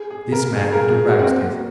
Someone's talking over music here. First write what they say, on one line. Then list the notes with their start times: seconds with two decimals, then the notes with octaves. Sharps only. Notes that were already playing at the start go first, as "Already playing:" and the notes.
This man had aroused it.
Already playing: G#4
0.10 G#4
0.32 A#4
0.56 G#4
0.72 A#4
0.90 G#4
1.08 F#4
1.19 C4
1.25 A#3